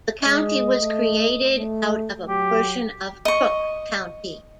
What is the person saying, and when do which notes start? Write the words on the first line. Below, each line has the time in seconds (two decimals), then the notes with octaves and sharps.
The county was created out of a portion of Crook County.
0.25 G#3 D#5
0.80 A3
1.58 A3
2.28 F#3 G4
3.25 D#5 C#6